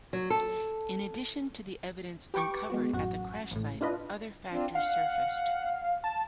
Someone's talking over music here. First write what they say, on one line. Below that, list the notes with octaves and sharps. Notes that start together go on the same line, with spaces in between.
In addition to the evidence uncovered at the crash site, other factors surfaced.
F#3
A4
G4 B4 G5 C#6 D6
G#3 B3 F#4
A1 F#2 F#4
A1 A2
D4 E4 F4 B4 D#5
C4 D4 F4
F5 F#5
A5